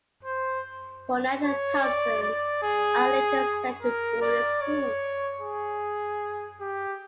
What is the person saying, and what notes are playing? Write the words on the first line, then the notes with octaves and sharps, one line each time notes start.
Ponette and her cousins are later sent to boarding school.
C5
C#5
D5
D5
G#4
A#4
D5
C#5
G#4
G4